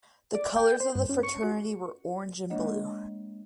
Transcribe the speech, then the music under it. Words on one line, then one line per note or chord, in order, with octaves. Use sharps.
The colors of the Fraternity were orange and blue.
D5
G5
C5
G2
C#4
C#6
F#4
G#3 A#3 D4 C#5 D#5 F#5